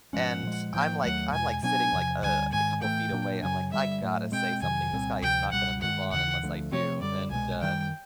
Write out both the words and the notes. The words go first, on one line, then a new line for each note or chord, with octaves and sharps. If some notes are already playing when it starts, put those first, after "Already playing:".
And I'm like I'm like, sitting, like, uh, a couple feet away. I'm like, "I gotta say something. This guy is not gonna move on unless I do." And, uh,
G#2 F3 G#3 C#4 F#5
A#2 F3 G#3
A2 F3 A#3 G5
D#2 D#3 F#3 A3 F#5
E2 B2 G#3 G#5
B2 F#3 B3 D4 G#5
E2 C3 F3
D2 D3 G3 G#5
G#2 D#3 G#3 G#5
A2 E3 A3 G5
A#2 F#3 A#3 D4
F#2 C#3 F#3 G#5
G2 D3 G3 E5
A2 F#3 A3
B2 G#3 C4 G5
F2 C3 D#3 F#3 G#5
C2 A#2 G3 C4
D2 C3 F3 G5
C#2 B2 G3 F#5
G2 D#3 G#3 F#5
D#2 C#3 E3 F#5
D2 D3 F3 A3
C3 F3 A3 C4 C#5
F#2 D3 G3 D5
C2 B2 G#3 G#5
F#2 D#3 G3 G5